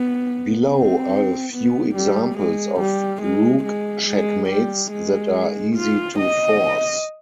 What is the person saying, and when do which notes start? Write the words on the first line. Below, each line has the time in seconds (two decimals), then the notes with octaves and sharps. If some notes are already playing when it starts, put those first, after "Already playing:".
Below are a few examples of rook checkmates that are easy to force.
Already playing: B3
0.68 C4
1.53 B3
1.95 G3
2.38 G#3
2.80 G3
3.22 G#3
3.64 G#3
4.07 G#3
4.50 G3
4.92 G#3
5.76 F4
6.19 D#5